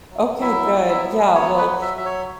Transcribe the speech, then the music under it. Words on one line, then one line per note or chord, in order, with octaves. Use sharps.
Okay, good, yeah, well,
F#3
E4 E5
F#3
E5
B3
F#3 C#5
B4
F#3
E5
F#3 E5
C#5